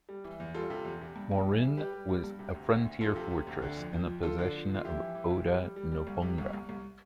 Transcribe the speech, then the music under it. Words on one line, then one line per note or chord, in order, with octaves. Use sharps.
Marune was a frontier fortress in the possession of Oda Nobunaga.
G3
E3
E2
G3 F4 A4
C3
E2
C3
G2
G2
E3
G3
G3 G4 B4
G3
G3
G2
C3
D2
D2
D2
F3 F4 A4
C3
C3
D2
D3
F2
F3
F2
F3 F4 A4
D3
F3
D3
F4
F2 E4 G4
E3
E3
F2
G3
G3
G3
G3
C2
C3
C2
C2
C2